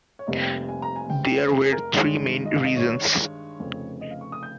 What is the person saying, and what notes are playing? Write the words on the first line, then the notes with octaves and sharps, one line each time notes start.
There were three main reasons.
C#5
F1 F2 C3 G3 A#3 D#5
G5
G#5
A#5
G#5
G5
G5
C5
G#4
G#4
A#4
G2 D#3 G#3 C#5
D#5
F5
D#5
C#5
F1 F2 C#3
D#5
F5
C#6
D#6
G6